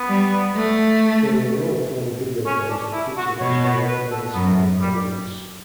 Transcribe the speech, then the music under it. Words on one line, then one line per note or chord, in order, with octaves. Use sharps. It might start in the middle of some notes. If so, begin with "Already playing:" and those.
There are role-playing video games that feature visual novel-style elements.
Already playing: B3
G3
A3
C#4
D4
E4
F#4
B2 C#5
C#5
B4
A4
F#2 B3
G3